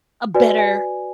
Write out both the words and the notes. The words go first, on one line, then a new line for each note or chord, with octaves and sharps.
a better
F#4 B4 D5 G#5
G#5